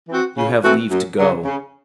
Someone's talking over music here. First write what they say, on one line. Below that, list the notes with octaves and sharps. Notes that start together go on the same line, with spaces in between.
You have leave to go....
E3 C4 F#4
C#3
E3 A3 C4 F#4
F#2
C#3 F#3
C#3